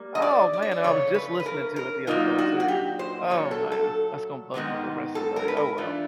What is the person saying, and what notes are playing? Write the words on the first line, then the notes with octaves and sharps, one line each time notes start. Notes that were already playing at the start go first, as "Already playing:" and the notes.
Oh, man. And I was just listening to it the other day too. Oh, man. That's gonna bug me for the rest of the day. Oh, well.
Already playing: G3 A#3
D#5
D5
D5
C#5
D5
F2 C#3 A3 C#5
B4
B4
A#4
A#4
A#2 F#3 A#3 D#4 F4
F#4
F#4
G4
C5
A#2 F#3 A3 C#5
A4
A4
G#2 D#3 G#3 B3
A4
A#4
B4
A#4
E3 A3 D4 F4